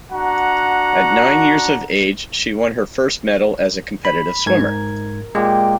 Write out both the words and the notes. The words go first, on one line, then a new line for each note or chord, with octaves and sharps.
At nine years of age, she won her first medal as a competitive swimmer.
D4 F#4 F#5 A#5
B5
G#2 A#4 G#6
A#2 G#3 G4